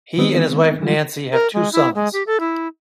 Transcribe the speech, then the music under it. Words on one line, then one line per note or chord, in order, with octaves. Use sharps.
He and his wife Nancy have two sons.
D#3 G#3 B3 C4 D#4
E3 G3 G#3 F4
A#4
G#3
E4
G#3
G4
A4
E4